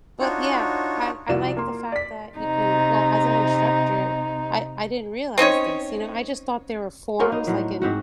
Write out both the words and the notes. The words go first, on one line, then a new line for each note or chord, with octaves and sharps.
But, yeah, I I like the fact that you can well, as an instructor, I I didn't realize this, you know, I just thought there were forms, like, in
D4 D#4 F4 F#4 C#5
C2 F3 F#4 D5 E7
A#3 C6
D5 B6
C3 D#4
C4 C#4 D#4 C#5
A#3 B3 F#4 A#4 C5 C#5
D#4
A2 F#3 C5
G#2 C4 F#4